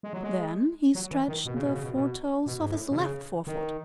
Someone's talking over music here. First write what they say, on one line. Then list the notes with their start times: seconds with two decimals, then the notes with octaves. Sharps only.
Then he stretched the four toes of his left forefoot.
0.03 G#3
0.13 F#3
0.23 G#3
0.95 F#3
1.12 E3
1.28 D#3
1.45 B2
1.55 C#3
1.64 B2
1.74 C#3
1.84 B2
1.95 B2
2.46 B2
2.60 G#2
2.71 A2
2.91 B2
2.96 C#3
3.47 D#3